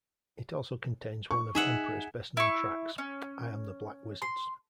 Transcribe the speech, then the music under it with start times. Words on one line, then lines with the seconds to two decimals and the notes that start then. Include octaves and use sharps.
It also contains one of Emperor's best known tracks, "I Am the Black Wizards".
1.31 C#6
1.55 D#4 G#4 E5 F#5
2.37 E4 C#6
2.98 C#4
4.22 C6